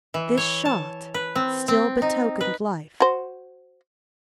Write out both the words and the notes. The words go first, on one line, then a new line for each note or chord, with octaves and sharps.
This shot still betokened life.
E3
C#5
A5
B4
C4
C4
D#4
B4
F#4 C5